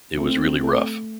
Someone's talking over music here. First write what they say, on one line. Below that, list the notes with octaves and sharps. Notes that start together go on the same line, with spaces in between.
It was really rough.
A3 C4
A3